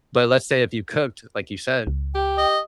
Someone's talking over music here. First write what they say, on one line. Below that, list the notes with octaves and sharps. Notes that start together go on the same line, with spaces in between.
but let's say if you cooked like you said,
C#2
G4 G5
D#5